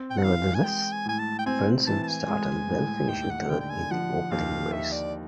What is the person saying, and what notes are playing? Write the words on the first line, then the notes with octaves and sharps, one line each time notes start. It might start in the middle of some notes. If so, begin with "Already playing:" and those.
Nevertheless, Frentzen started well finishing third in the opening race.
Already playing: C4
G5
F#5
E3 F5
G#5
G#3 G5
G#5
A2 G#5
A5
G5
C4 G#5
E3 A5
A5
G#5
G#3
A2
D#2 G5
F#5
D3 G5
G5
G#5
F3 F#5
D#2 F5
D#2 E5
D5